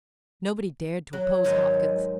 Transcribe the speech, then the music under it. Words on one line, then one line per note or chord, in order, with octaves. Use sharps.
Nobody dared to oppose Hopkins.
F#3
G#2 D#3 F#3 G#3